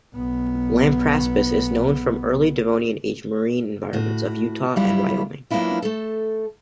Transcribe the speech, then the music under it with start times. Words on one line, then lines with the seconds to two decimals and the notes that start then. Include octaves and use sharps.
"Lampraspis" is known from Early Devonian-aged marine environments of Utah and Wyoming.
0.15 B1 B3
3.93 A2 F#4
4.76 F#3 G3 E4 F4
5.50 F#3 A#3 B3 D4 E4 F4
5.82 A3 A4